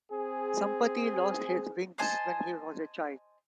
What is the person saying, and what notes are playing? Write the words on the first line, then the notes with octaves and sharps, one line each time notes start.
Sampati lost his wings when he was a child.
C4 G#4
C5 D#5 G#5 A5